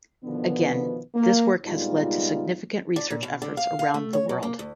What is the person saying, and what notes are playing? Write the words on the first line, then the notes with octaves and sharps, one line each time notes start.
Again, this work has led to significant research efforts around the world.
B2 D3 D#3 F3 B3
A#3
A#2 G3 G#3 B3 D#4 F4
D4
A#2
B2
D3
F5
F5
A3
C#5
F#3
A#3
D2